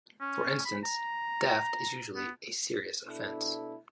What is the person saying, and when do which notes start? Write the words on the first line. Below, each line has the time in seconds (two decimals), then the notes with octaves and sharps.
For instance, theft is usually a serious offence.
0.21 C#4
0.65 B5
0.84 A#5
2.16 B3
3.04 B2 D4 E4 A4